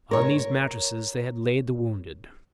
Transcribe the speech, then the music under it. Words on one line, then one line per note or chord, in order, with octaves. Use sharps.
On these mattresses they had laid the wounded.
A#4 C#5